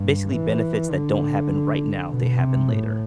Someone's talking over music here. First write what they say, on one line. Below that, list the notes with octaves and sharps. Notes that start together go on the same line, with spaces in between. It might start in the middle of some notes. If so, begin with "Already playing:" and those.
basically benefits that don't happen right now, they happen later.
Already playing: G2
E3
D3
B2
C3
A2